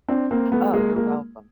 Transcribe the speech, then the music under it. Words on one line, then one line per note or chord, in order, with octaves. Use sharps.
Oh, you're welcome.
C4 D4
A#3 C4
A3 B3
G#3 A#3
G#3 A#3